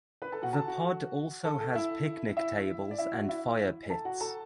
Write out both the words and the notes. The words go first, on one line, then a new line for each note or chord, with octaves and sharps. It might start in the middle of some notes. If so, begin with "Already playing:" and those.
The pod also has picnic tables and fire pits.
B4 B5
A4 A5
F#4 F#5
A4 A5
F#4
A4
A4
E4 E5
E4 E5
D5
E4 E5
F#4 F#5
E4 E5
A4 A5
F#4 F#5
A4 A5